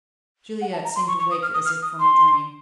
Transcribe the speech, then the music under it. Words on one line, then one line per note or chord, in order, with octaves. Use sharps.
Juliette seemed to wake as if from a dream.
F#5
A5
A#5
C6
C#6
C#6
D#6
F6
D#6
F6
D#6
C6